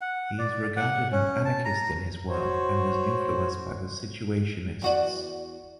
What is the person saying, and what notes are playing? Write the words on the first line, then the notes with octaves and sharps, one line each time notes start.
He is regarded an anarchist in his work and was influenced by the Situationists.
F#5
D5
F#5
C#4
A5
A#5
F#4 C5 C#5
E2 F#4 D5